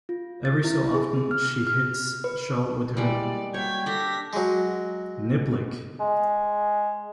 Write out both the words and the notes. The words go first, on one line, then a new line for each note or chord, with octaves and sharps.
Every so often she hits Shaw with her niblick.
F4
A6
E4
G#4
F6
F6
B4
G3 G#3 A#3 E4 D5
G3 A#3 F#4 C#5 G5 G#6 B6
D4 G4 A4 A#6 B6
F#3 G#3
G#3